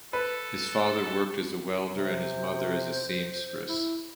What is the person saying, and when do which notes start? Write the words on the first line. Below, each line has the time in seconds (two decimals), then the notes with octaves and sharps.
His father worked as a welder and his mother as seamstress.
0.13 A4 B4
1.96 C3 C5
3.68 E4